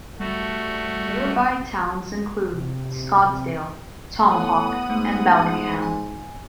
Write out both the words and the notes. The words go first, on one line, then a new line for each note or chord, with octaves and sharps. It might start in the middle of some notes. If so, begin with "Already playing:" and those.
Nearby towns include Scottsdale, Tomahawk and Bellingham.
G3 A3 F#4
C3
A2 B3 F#5 D#6
G#2 A3
G#5